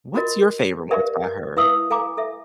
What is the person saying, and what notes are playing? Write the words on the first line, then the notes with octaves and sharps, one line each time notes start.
What's your favorite ones by her?
F4 F#4 A#4 D#5
G4 A#4 B4 D5 E5 F5
E4 B4 E5 F5 D#6 E6
A4 F5 G#5 A#5 D6
A4 E5